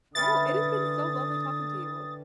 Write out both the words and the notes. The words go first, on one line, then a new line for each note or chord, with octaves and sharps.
No. It has been so lovely talking to you.
D3 E3 G3 C#4 D#6 A6